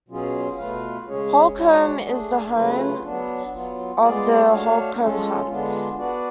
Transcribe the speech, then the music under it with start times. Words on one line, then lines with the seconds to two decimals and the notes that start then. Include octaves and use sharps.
Holcombe is the home of the Holcombe Hunt.
0.09 B2 F#3 C#4 F4 G#4
0.58 B2 A3 F4 B4 F5
1.07 C#3 G#3 C#4 G#4 C#5
1.56 G#3 D4 F#4 C#5
2.05 A3 D4 G#4
2.54 C#3 F#3 A3 F4 B4
3.03 F#3 B3 D4
3.53 F#3 B3 F4
4.01 G#3 B3 F4 G#4 D5
4.51 A3 D4 F#4 C#5 F5
5.00 G#3 C#4 F4 A4
5.49 D3 G#3 B3 D4 F4
5.98 B3 D4 F#4 B4 D5